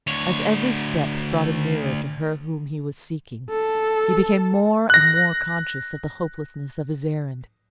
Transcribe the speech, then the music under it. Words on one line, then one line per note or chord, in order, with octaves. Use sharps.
As every step brought him nearer to her whom he was seeking, he became more and more conscious of the hopelessness of his errand.
D2 C#5
A4
F#6 A#6